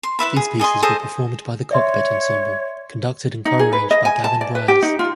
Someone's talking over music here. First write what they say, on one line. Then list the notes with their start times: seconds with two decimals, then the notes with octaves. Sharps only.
These pieces were performed by the Cockpit Ensemble, conducted and co-arranged by Gavin Bryars.
0.03 C6
0.19 E4 B4 E5 B5
0.36 G#4
0.59 G#4 D#5 G#5 C6
0.83 G#4 A4 C5 D#5
1.71 C#5 D5 E5 C6
3.45 D#4
3.59 G#4
3.73 B4
3.91 D#5
4.05 G#5
4.24 A5
4.41 D5
4.55 B4
4.68 G4
4.82 D#4
4.99 F4